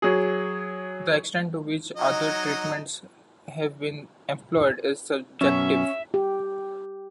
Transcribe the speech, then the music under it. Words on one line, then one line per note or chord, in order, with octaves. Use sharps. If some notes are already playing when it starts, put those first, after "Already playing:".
The extent to which other treatments have been employed is subjective.
F#3 G#4
F#3 D#4 D#5
F#2 B2 C#4 E5
G4